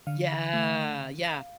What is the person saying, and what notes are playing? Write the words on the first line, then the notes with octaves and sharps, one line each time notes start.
Yeah, yeah.
D3 F5
A3